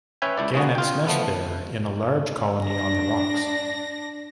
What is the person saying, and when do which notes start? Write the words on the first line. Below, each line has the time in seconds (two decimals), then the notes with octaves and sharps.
Gannets nest there in a large colony on the rocks.
0.22 C#4 B4 C#5 E5 G5 G#5
0.37 C#2 E4 D5
0.54 G#3 A#3 D#4 F#4 G#4
0.75 F4 G5
1.07 F3 A3 B3
2.64 D4 A#6